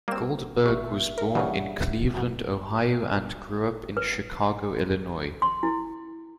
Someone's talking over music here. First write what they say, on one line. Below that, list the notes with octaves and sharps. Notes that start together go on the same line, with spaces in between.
Goldberg was born in Cleveland, Ohio, and grew up in Chicago, Illinois.
G3 A#3 C4 E7
G#1 G#2 B3 G4 E5
A#4
G2 C#3 E3 G#4 F#5
F#2 B2
B4
C6
E4